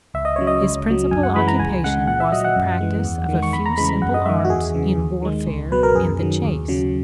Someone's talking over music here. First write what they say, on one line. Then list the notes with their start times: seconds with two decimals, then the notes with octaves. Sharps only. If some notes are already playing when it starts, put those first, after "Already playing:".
His principal occupation was the practice of a few simple arts in warfare and the chase.
0.14 C#2 E5
0.25 D#5
0.36 C#3 F#3 C#5
0.47 D#5
0.63 C#2
0.87 C#3 F#3
1.11 F#2 G#5
1.23 F#5
1.36 E3 G#3 B5
1.48 A#5
1.59 C#2 G#5
1.84 C#3 G#3 F#5
2.07 A#2 F#5
2.20 E5
2.32 F#3 D#5
2.44 F#5
2.56 F#2
2.81 E3 G#3
3.05 E2
3.29 D#3 G#3
3.43 C#6
3.53 E2 B5
3.66 A#5
3.77 C#3 E3 G#3 B5
3.89 B5
4.01 F#2 F#5
4.14 D#5
4.26 D#3 G#3 E5
4.45 F#4
4.50 E2 G#4
4.74 C#3 E3
4.98 D#2
5.22 D#3 G#3
5.47 C#2
5.72 B2 F#3 B4
5.83 A#4
5.95 F#2 G#4
6.19 D#3 F#3
6.44 D#2
6.68 C#3 F#3